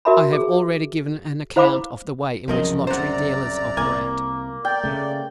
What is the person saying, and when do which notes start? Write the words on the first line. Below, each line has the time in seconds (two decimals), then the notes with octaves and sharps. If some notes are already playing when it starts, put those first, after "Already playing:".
I have already given an account of the way in which lottery dealers operate.
0.05 F#4 A#4 E5 A5 B5
0.33 G#4
1.56 E4 C5 F5 B5 D6
2.48 C2 F#2 C#3 F3 A#4 D#5
2.87 C3 C5 D5 F#5 A#5
3.77 C2 A#3 G#5
4.65 D5 G5
4.84 C#3 A3